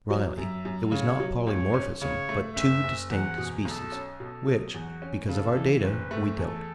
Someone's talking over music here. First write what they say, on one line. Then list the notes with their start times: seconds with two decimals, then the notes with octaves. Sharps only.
Riley, it was not polymorphism, "but two distinct species"--which, because of our data, we doubt.
0.10 F#3
0.38 F#2 E5
0.65 F#2
0.92 C#3 C#5
1.20 F#3
1.47 C#2 C#5
1.74 C#4
2.01 C#3 C#5
2.29 A3
2.56 F#1 E5
2.83 F#1
3.11 E2 F#5
3.38 B2
3.65 B1 A4
3.92 C#4
4.20 B2 A4
4.47 F#3
4.74 E2 F#4
5.02 C#4
5.28 C#3 A4
5.56 E3
5.83 F#1 B4
6.11 A3
6.38 E2 A4